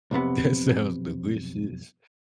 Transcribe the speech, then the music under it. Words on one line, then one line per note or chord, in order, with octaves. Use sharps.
that sounds delicious.
B1 F2 C3 B3